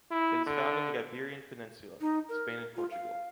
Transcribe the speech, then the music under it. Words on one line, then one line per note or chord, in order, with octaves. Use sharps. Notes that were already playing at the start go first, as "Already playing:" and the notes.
It is found in the Iberian Peninsula: Spain and Portugal.
E4
D3
D#4
A#4
F4
F5